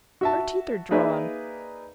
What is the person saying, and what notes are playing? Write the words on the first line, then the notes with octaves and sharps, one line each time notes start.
Her teeth are drawn.
F#4 E5 A5
A#3 D#4 G#4 B4 D5 E5